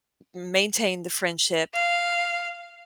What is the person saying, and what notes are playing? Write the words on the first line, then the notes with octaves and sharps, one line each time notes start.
maintain the friendship,
F5